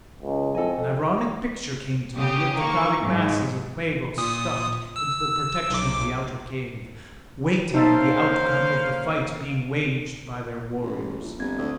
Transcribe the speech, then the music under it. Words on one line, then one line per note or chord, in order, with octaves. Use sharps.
An ironic picture came to me of the crowding masses of Quabos stuffed into the protection of the outer cave, waiting the outcome of the fight being waged by their warriors.
C#2
F2 A4 D#5 G#5
C#3 G4 D#6
D#3 A#3 C#6
G#2 F#3
A#2 D#6
E6
B1 D6
A#3 C#4 D#4 C5 E5 F5 A5
A1
A#1
G1 C4 G#6
D2